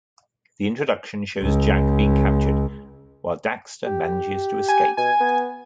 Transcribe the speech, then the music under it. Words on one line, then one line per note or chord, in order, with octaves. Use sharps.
The introduction shows Jak being captured, while Daxter manages to escape.
C#2
G4
G#5
B2 G#5
B3